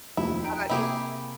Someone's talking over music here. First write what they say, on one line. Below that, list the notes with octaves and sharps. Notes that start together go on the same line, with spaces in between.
How 'bout you?
F1 D#2 F3 E4
G5 A#5 D7
C3 A#3 E4 G4 G#4